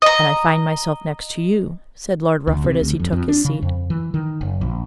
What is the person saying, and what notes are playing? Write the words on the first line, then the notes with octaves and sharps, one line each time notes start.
"And I find myself next to you," said Lord Rufford as he took his seat.
D#5 A#5
D2
C3
D2
F2
F2
D4
C#3
F2
E3
D#3
F#1
A#1